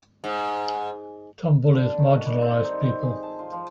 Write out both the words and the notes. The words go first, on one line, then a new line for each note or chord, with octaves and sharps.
Tom bullies marginalized people.
G#2
D3
D#3
F#4
G3
C4
D#4
C4
G#4
A5
F4
F3